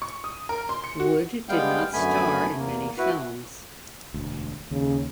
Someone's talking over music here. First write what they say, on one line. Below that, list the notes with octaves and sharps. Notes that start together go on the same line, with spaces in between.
Wood did not star in many films.
C#6
D#6
A#4
C6
C#7
F#4
G3 G#3 B3 F5 G5
F#2 D3 A3 B3 G#5 B5
E2 A#3
E4 F#4 B4
E1 D2
D#2 C#3